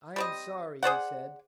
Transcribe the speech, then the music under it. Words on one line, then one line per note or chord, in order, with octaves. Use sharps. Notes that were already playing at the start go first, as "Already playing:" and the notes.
"I am sorry," he said.
G3 C4 D#5
G#4 C5 D5 F#5